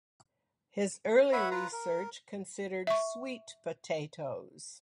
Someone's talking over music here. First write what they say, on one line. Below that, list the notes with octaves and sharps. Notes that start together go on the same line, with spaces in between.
His early research considered sweet potatoes.
B4 C#5 E5 F#5 B5
F4 B4 A#5
A#4
E5 C#6